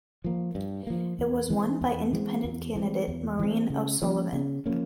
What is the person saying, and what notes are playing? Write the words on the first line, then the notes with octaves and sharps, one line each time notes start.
It was won by Independent candidate Maureen O'Sullivan.
F3 A#3
G2
F3 A#3
E2
E3 G#3 C4
E2
E3 G#3 C4
E2
E3 G#3 C4
E2
E3 G#3 C4
C#3
F3 A#3 C#4
C#3
F3 A#3 C#4